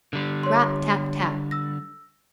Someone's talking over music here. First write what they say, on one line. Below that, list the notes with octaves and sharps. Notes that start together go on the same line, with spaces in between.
Rap! tap! tap!
D3 G3
C#5 C6
E6 A#6